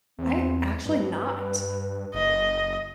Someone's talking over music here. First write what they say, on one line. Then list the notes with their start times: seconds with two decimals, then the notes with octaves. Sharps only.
I have actually not,
0.19 E2 C4
0.86 G2 B4
2.14 F#1 D#5